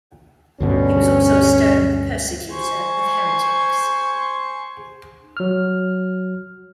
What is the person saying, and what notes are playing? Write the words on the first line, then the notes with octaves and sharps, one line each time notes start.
He was also a stern persecutor of heretics.
D2 G2 B2 C#4
C5 G#5 C#6
F#3 F6